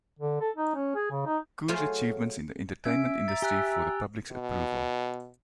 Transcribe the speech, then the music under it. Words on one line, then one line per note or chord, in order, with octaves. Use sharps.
Ku's achievements in the entertainment industry for the public's approval.
D3
A4
D#4
C#4
G#4
C#3
D#4
F#3 A3 F4 G#4 C5 C#5
C#4 E5 G#6 D7
A#5 A6
G4 G#5 E6 F#6
B2